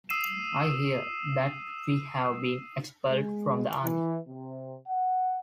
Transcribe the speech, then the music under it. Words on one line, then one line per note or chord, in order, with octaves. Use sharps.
I hear that we have been expelled from the army.
D#6 E6 C7 D#7 E7
G#3
E3
C3
F#5